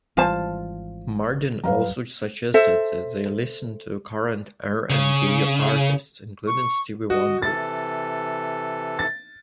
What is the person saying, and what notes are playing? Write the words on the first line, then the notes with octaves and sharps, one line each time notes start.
Mardin also suggested they listen to current R and B artists including Stevie Wonder.
G#1 E3 G3 F4 C5 A5
G2 F#3 G3 B4 F5 A#5
A4 C5 E5
C#3
C#6
F#4 D#5
C3 E3 A4 A6
A6